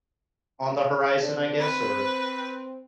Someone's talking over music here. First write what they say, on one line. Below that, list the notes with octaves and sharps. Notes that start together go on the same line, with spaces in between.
on the horizon, I guess? Or
C4 D4 A4
C4 B4